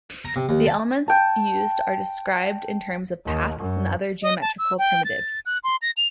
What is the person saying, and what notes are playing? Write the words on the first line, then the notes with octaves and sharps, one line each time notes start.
The elements used are described in terms of paths and other geometrical primitives.
A#5
C3
D#2
A5
G5 A5
D#2
F#2
D#5
A5
E6
G5
A6
F#6
C6
A#6
F7